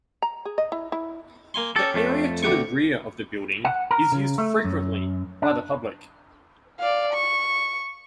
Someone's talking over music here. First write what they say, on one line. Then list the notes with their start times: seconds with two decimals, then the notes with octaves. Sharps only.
The area to the rear of the building is used frequently by the public.
0.22 A#5
0.45 G#4
0.58 D#5
0.72 E4
0.92 E4
1.54 A#3 G#5 C6
1.76 C#4 G4 A4
1.94 F2 A3
2.43 D2 G4 C#6
3.65 F#5
3.91 A#4
4.12 C#3
4.38 A3
4.64 F#2
5.42 D4
6.80 D5 F5
7.13 C#6